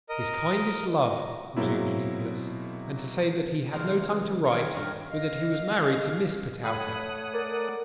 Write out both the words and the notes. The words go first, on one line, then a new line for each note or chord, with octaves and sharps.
'His kindest love,' resumed Nicholas; 'and to say that he had no time to write, but that he was married to Miss Petowker.'
A#4 D#5
B2 F#3 G#3 A#3 C4 E4
C#3 E3 G#3 A#3 C5 F5
D#3 A#4 C#5
G2 G3 A#3 A#4 C#5
D#5 F5
A3 C#5 F#5 B5 D#6
A#4 D5